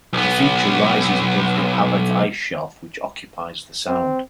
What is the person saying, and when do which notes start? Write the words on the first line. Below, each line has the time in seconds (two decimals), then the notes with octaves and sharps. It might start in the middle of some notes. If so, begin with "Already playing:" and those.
The feature rises above the Abbot Ice Shelf which occupies the sound.
0.13 B1 B3
3.87 C4